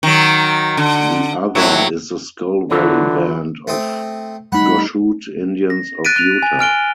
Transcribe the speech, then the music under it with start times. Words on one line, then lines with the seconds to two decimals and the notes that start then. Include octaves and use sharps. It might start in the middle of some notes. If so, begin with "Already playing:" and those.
The other is the Skull Valley Band of Goshute Indians of Utah.
0.03 D#3 F#3
0.77 D3
1.55 A2 F#3 E4
2.71 D3 E3 F#3 F4
3.67 A3 C4 D#6
4.52 G3 A3 D#4 F#5 B5
5.70 A#6
6.05 F#6 A6 B6 D7 D#7
6.16 F#6 F7
6.43 G#5
6.59 G#5 F6 D7 G7